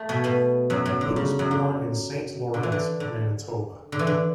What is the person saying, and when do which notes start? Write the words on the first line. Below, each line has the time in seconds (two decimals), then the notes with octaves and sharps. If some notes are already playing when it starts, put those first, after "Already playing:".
He was born in Saint Laurent, Manitoba.
Already playing: A3
0.09 B2 B3
0.24 B2 B3
0.70 F#2 F#3
0.86 F#2 F#3
1.01 D3
1.16 C#3
1.39 F#2 F#3
1.51 D3
2.54 D3
2.63 E3
2.72 D3
3.00 D3
3.92 D3
3.99 E3
4.07 D3